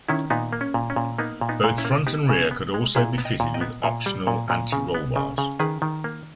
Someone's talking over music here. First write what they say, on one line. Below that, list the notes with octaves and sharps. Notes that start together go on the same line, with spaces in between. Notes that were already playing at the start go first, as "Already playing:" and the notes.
Both front and rear could also be fitted with optional anti-roll bars.
D#3 C#4 E4
A#2 B3 D#4
A#3
C#4
A#2
C#4
A#2
A#3 B3 D#4
A#2
B3 D#4
A#2
C#4 E4
A#3
B3 D#4 G4
C#3
B3
G#3
A#2 E4 G#4
B3
D#5 G5
A#2
D#5 G5
B3
A#2
G3
A#2
A#2
C#3
B3
C#3
C#3
D#3 G#4 B4
D#3
A#3